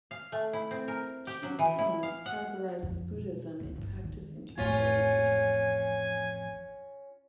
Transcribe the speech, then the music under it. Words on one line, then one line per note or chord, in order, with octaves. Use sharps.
Chin Kung categorizes Buddhism in practice into four different types.
F5
A3
E4
C4
A#4
G4
F#3
E3
E4
F5
F#5
F2
B2
D2
G1
D#3
A1 F2 C#4 F4 G#5